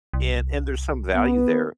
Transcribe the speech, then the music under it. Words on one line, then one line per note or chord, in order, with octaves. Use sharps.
and and there's some value there.
C2
B3